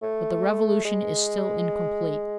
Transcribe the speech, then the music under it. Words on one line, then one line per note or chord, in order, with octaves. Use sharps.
But the revolution is still incomplete.
A3
G#3